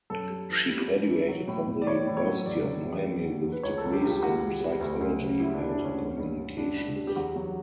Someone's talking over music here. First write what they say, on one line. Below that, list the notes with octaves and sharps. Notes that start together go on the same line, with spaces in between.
She graduated from the University of Miami with degrees in psychology and communications.
F#2 A4
G3
E3
G3
G3
E3
F#3
A2
A2
D5
A2 C#5
A2
C#5
F#3
E2 D5
F#3
E2
E2
D3
E2
B4
C#2 C#5
A4
C#2
G4
C#2
G4
C#2 F#4
C#2
G3
D2
D2
C#3
G3 E4
D4
D2
D4
D2
C#4
G2
G2
G2
G2 D4
G2
G3
G4
E2 F#4
F#3